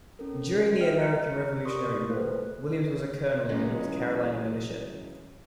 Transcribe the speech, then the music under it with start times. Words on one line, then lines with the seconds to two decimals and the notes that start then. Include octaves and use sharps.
During the American Revolutionary War, Williams was a colonel in the North Carolina militia.
0.19 C#4 A4 A#4
0.81 D#5 E5 G5 F6
0.98 A#5 F#6 C#7
1.65 G4 A#4 D5 C6 C#6 D#6
2.10 A3 A#3 A4 B4 C5 F#6
3.49 G2 C#3 E3 F#3 G#3 C#4